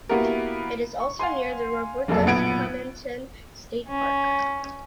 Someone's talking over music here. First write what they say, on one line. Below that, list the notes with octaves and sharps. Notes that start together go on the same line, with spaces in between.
It is also near the Roberto Clemente State Park.
A#3 B3 E4 F#4 G4 A#4
C#6
F5 F#5 G#5 C6
F1 B1 F#2 A#3 G#4 A4
B1 A#2 B3 F#5 G#6 D7
C#4